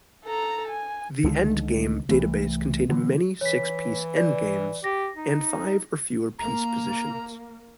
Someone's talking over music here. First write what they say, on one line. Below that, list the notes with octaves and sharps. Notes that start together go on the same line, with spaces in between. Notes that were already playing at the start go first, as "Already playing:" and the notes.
The endgame database contained many six piece endgames and five or fewer piece positions.
A4 A#5
G#5
C#2 D3 D#3 G#3
C2 E3 A3
D3 E3 F#3 A#3
E3 C#5 B6
D5
G4 A#6
D#4
A#3 A#5